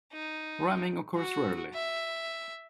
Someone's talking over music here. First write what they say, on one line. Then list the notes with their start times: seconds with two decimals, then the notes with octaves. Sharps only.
Rhyming occurs rarely.
0.13 D#4
1.16 F#4
1.74 E5